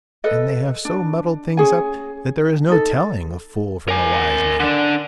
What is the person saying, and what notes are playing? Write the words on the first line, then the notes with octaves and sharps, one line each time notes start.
And they have so muddled things up that there is no telling a fool from a wise man.
A4 B4 D#5
D4
C#4 G#4 G#5
D#4 A4
A#4 G#5
D3 D4